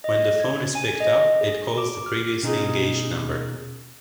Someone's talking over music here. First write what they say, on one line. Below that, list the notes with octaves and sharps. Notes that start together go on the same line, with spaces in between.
When the phone is picked up, it calls the previously engaged number.
D#5
G#6
G#5
D#5
G#4
D6
F6
B2 C#4 D#4 F4 G#4